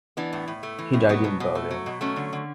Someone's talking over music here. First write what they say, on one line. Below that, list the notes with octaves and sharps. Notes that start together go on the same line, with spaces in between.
He died in Berlin.
E3 B3 D4
A2
A2
A3
E3
A2
F#3 B3
B2
B2
A3
F#3
B2
F#3 A3 C#4
D3
D3